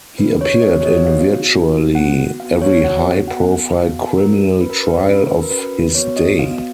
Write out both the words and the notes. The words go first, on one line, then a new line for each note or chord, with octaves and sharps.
He appeared in virtually every high-profile criminal trial of his day.
C#4 F#4 B4
C#5
B3 F#4 D#5
C#5
D#5
B3 F#4 F5
B3 F#4
B3 F#4 F#5
B3 F#4 F5
C#5
B3 F#4 F#5
B3 F#4 F#5
B3 F#4 F5
C#4 F#4 A#4
C#4 F#4 B4
A#4
B4
C#4 F#4 B4
A#4
B4
A#4
C#4 F#4 B4
B3 F#4 C#5
D#5
B3 F#4 F5